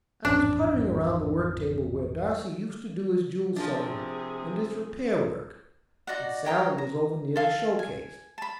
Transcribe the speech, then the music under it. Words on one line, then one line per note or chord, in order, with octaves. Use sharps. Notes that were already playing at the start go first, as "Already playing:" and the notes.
I was puttering around the work table where Darcy used to do his jewel setting and his repair work, and Sallie was over near the showcase.
A1 F2 G#2 D4
C3 F3 A#3 D4 G#4
D#4 F#4 D5 F#5
C#5 G5 A#5 D#6
A#5
A4 F5 G#5
G#5
A5 B5